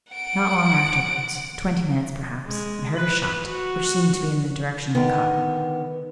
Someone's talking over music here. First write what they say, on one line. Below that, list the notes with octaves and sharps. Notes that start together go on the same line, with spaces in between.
Not long afterwards--twenty minutes, perhaps--I heard a shot, which seemed to be in the direction of the cottage.
F#5 D7
G#3
B4
F#4
D3 D#3 B3